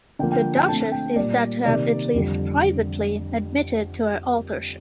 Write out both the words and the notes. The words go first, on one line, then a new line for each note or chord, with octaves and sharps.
The duchess is said to have at least privately admitted to her authorship.
D3 F3 A#3 G5
G5
G5
D3 A3 C4 A5
A5
G5
A#2 G3 A#3 D5
C3 D#3 A#3 D5
F2 D3 G3